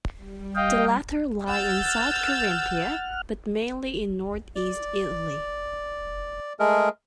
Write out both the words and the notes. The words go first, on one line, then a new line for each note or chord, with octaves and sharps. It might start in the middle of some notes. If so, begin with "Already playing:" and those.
The latter lie in South Carinthia, but mainly in Northeast Italy.
G3
D#5 F5 G5
F#5 E6 F6 G6 A6
D5
G#3 A3 G#4 A#4